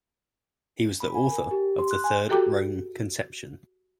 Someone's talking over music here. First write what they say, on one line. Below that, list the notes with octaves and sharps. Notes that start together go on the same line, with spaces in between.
He was the author of the Third Rome conception.
B5
G#5
A#4
G4
C6
F#6
G#5
F#4 G4 A4 G5 A#5 D6